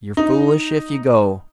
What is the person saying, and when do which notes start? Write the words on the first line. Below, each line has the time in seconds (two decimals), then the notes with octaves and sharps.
You're foolish if you go!
0.17 D#4